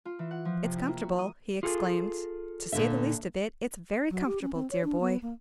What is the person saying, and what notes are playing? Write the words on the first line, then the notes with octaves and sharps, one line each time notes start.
"It's comfortable!" he exclaimed; "to say the least of it, it's very comfortable, dear boy!"
F4
E3
F#5
F3
C3
E4
A#3
F#4
D#6
F4 G#4 A4
A#2 D3 E5
F#3
G4
C#4
C4
C#5
D4
B3
A#3